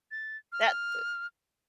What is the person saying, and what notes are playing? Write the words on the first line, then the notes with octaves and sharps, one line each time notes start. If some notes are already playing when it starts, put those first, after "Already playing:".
That, uh,
A6
F6